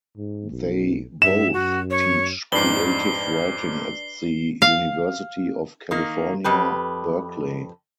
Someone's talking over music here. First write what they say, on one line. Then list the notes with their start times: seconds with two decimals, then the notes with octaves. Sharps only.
They both teach creative writing at the University of California, Berkeley.
0.17 G#2
0.50 B1
1.22 G2 E5 E7
1.53 F#2 F#4
1.90 C#5
2.52 F2 G#2 D4 B4 C7 F#7 G7
4.62 F5
5.91 D#3 A#3
6.44 F2 G4 B4